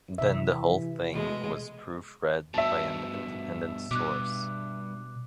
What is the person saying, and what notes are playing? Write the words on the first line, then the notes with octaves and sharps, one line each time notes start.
Then the whole thing was proofread by an independent source.
C3 E3 E5
B2 G#3 A3
G2 B2 E5 A5
G2 B2 D6 F#6